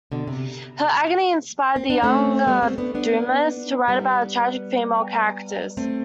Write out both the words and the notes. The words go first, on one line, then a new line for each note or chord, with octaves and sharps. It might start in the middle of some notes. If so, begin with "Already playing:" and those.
Her agony inspired the younger Dumas to write about tragic female characters.
B2 D3
C3
C4
D4
A3 C4
G3 B3
A3 C4
B3 D4
B3 D4
G3 B3
A3 C4